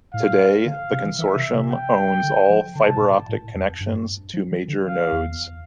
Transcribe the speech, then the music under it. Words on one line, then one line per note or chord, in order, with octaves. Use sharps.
Today the Consortium owns all fiber-optic connections to major nodes.
A2 F5
D3 F5
C3
E3
E3 E5
C3
C3
G5
D3
F3
D3 A5
C3
A2
A#2
A2
F2
G2
F3
E3
D3
F5
E2